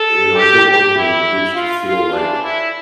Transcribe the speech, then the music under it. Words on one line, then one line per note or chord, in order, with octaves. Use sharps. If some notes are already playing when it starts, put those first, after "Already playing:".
you know, I don't want them each to feel like
Already playing: A4
G4
G4
E2 E3 E4
F4
F4
A2 E3 D4
E4